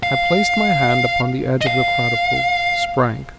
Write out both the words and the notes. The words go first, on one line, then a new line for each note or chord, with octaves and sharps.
I placed my hand upon the edge of the quadruple; sprang.
F5
D#5
F5